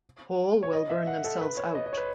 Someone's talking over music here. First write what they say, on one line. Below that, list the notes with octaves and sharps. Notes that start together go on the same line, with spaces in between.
Hole will burn themselves out.
C#5
D#5
E5
F#5
A4
B4
C#5
D#5
D#5
C#5
B4